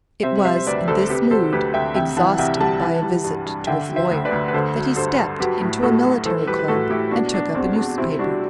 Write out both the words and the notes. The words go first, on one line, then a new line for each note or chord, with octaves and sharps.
It was in this mood, exhausted by a visit to his lawyer, that he stepped into a military club and took up a newspaper.
C3 C5 E5
G3 C5 E5
C5
D2 B4 D5
D2 A4 C5
C3 G4 B4
F#3 A4 C5
D2 G4 B4
D2 E5 G5
C3 E5 G5
E3 F#5 A5
C2 E5 G5
G3 F#5 A5
E3
G3
G2
G2
D3 E5 G5
F#3
C5 E5
D2
B4 D5
D2
B4
D3 A4 C5
F#3
G2 A4 C5
G2
F#3 G4 B4
A2
A2 F#4 A4
F#3
E3 A4 C5
G3 G4 B4
B4
A2 F#4 A4
A2 E4 G4
B2 D4 F#4
F#3 D4
E2 C4
E2 D4
C3 C4 E4
G3 D4 F#4